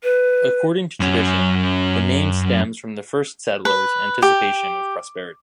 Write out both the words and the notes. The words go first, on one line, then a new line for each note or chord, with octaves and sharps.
According to tradition, the name stems from the first settlers' anticipation of prosperity.
B4
F#2 C#4
B4
G4